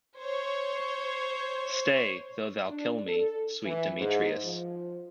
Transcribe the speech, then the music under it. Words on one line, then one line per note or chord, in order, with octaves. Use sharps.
Stay, though thou kill me, sweet Demetrius.
C5 C#5
D4
A4
E3
G#2
F3